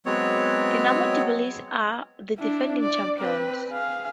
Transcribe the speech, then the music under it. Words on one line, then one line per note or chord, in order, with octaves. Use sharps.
Dinamo Tbilisi are the defending champions.
F#3 G#3 B3 C4 C#5
D4 E4
D5
C4 B4
G#4 F5